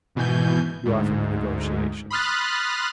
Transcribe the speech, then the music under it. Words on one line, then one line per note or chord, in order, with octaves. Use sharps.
You offer me negotiations!
G#1 B2 E3 G#5 G6
D2 G#2
B5 C6 D#6 F6 F#6 A6